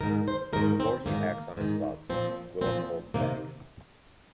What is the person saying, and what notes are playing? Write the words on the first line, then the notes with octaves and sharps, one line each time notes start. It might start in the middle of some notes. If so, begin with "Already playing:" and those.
Before he acts on his thoughts, Gwyllm holds back.
G#2 D#3 A#4
C5
G#2 D#3 A#4
C4
G#2 D#3 A#3
G#2 D#3
A#2 F3 C4
A#2 F3 C4
C3 D#3 A#3